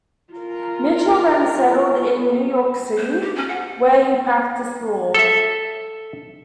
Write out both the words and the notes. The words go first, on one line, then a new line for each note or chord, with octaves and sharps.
Mitchell then settled in New York City where he practiced law.
F4 A#4
C5
G4
C#4
F#5
A4 E5